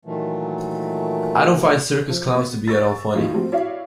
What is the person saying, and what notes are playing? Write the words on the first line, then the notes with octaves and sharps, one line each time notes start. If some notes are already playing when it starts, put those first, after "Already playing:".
I don’t find circus clowns to be at all funny.
A#2 D#3 E3 F#3 A3
F3
B3
C#6 E6 A6
A2 D#3 F#3 G3 D#4 F4
F3 G3 A3 C4 F#4
E4 F#4 C#5 D5 E5 F5